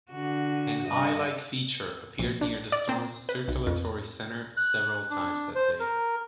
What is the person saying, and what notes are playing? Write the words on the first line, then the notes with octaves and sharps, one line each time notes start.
An eye-like feature appeared near the storm's circulatory center several times that day.
D3 F#4
G2 D#5
A#1
D4
D5
C4
B4
B1
F2
F#6
D4
C5
A#4